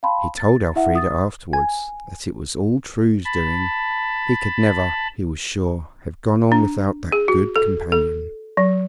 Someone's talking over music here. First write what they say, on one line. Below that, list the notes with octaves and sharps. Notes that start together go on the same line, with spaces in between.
He told Elfrida afterwards that it was all True's doing; he could never, he was sure, have gone on without that good companion.
F5 G5 A5 B5 C6
A6
E4 E5 F#5
D#6 A6
G#5
A5 B5
D4
G#4
F#4
A4
A4
F#3